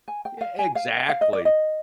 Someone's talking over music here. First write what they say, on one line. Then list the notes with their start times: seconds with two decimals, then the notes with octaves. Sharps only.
Yeah, exactly.
0.08 G#5
0.25 G5
0.41 F5
0.59 G#5
0.75 F5
1.09 F5
1.21 D#5
1.33 D5
1.45 D#5